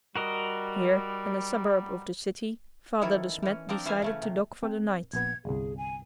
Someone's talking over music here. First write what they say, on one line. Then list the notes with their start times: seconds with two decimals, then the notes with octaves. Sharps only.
Here, in a suburb of the city, Father De Smet decided to dock for the night.
0.16 G3 F#4 A#4 D#5
3.01 D#3 E3 C#4 E4 A4
3.42 E3 C#4
3.69 F3 C4 D4 A#4
3.85 E3 C#4 C5 E5 F5 G#5
4.02 C#3 A3 C#4
4.22 C3
4.63 C4 A4 G5
5.13 A#1 B3 G#6
5.45 G1 C2 G#4
5.77 G#5